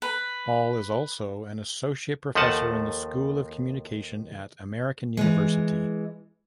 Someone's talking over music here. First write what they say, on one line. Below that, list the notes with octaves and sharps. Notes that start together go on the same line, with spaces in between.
Hall is also an associate professor in the School of Communication at American University.
B4
D#2 F3 A3 D#5 F#5 A5
E3 G#3